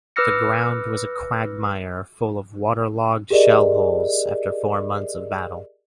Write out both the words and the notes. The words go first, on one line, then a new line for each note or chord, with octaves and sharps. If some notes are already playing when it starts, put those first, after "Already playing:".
The ground was a quagmire full of water-logged shell-holes after four months of battle.
B4 D6 E6 F6 A#6 C#7
G4 G#4 A#4 D5 D#5